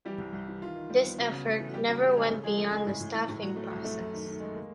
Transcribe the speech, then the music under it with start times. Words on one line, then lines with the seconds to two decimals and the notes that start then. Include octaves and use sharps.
This effort never went beyond the staffing process.
0.05 E3 G3 G4
0.19 C2
0.33 C2
0.48 E3
0.62 D#3 F4
0.75 D#3
0.90 G3
1.04 B3
1.18 C#3 F#4
1.31 C#3
1.45 A3
1.59 E3
1.68 F#4
1.73 G3 G4
1.88 C#3 F#4
2.02 G3 G4
2.16 C#3 G#3 G#4
2.30 C#3 A3 A4
2.44 F3 G#3 G#4
2.58 A3 A4
2.72 C#3 G#3 G#4
2.86 A2
3.00 A2
3.14 E3
3.29 A2
3.43 F#3 F#4
3.56 A3
3.71 C2
3.84 A3
3.99 F#2
4.13 D#3
4.26 D#3
4.40 G#3
4.55 A#3